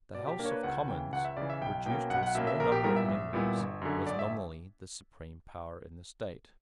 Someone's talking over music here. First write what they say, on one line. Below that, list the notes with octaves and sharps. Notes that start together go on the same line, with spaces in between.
The House of Commons, reduced to a small number of members, was nominally the supreme power in the state.
B2 D5
G4
A#3 D4 A#4
C#5
B4
C#2 F#5
C#3 E3 G5
C#2 F#5
E5
C#3 E3 D5
E5
B1 G5
B2 A#3 C#4 G5
B1 F#5
F#5
B2 A#3 C#4 E5
E5
A#1 A#4
G4
A#2 G3 B3 E4 A#4
E5
A#1
A#2 G3 B3 E4
G1
F#2 D3
G1 D5
E5